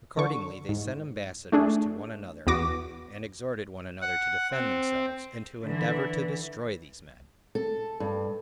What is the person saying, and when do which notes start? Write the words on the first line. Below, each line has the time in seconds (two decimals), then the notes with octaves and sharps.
Accordingly they sent ambassadors to one another, and exhorted one another to defend themselves, and to endeavor to destroy these men.
0.17 D3 C#6
0.69 G#2
1.52 A3 D4 G#4
2.47 E2 B3 F#4 D6 A#6
4.01 F#5
4.51 C4
5.63 D3 E3
7.55 A4
8.00 G2